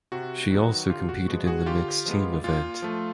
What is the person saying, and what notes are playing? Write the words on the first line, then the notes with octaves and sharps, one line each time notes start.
She also competed in the mixed team event.
C3 F#4
D#3 F#3 B3
D3 F4 G4
F#4
F3 G#3 B3 F#4
F#4 G#4
D3 F4 G4
F3 G#3 B3
A#2 F4
F3 A3